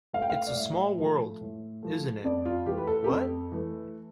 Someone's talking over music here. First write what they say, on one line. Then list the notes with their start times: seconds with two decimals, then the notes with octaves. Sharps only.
It's a small world, isn't it, what?
0.13 A3 F5
0.22 G5
0.30 F5
0.47 D5
0.55 A2 E5
0.97 F3 A3
1.41 A2
1.83 F3 A3
2.24 F2 D5
2.45 F4
2.66 E3 A3 G4
2.77 B4
2.87 A4
3.04 G4
3.08 F2 A4
3.52 E3 A3